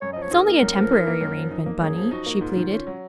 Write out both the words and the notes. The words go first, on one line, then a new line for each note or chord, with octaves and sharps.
"It's only a temporary arrangement, Bunny," she pleaded.
F#2 C#5
F3 D#5
C#5
D#4 G#4
A#4
A#3
F#2
F3
D#4
A#3
F#2
F3
D#4
A#3
F#2 G#4
F3
D#4 F#4
A#3
G#2 F4
D#3
C#4
F#3